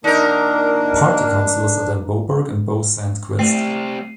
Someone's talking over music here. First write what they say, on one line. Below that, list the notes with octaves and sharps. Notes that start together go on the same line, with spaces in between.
Party councilors are Dan Boberg and Bo Sandquist.
A#2 D#3 A#3 D4 D#4 A#4
G3 A3 C4 C7 D#7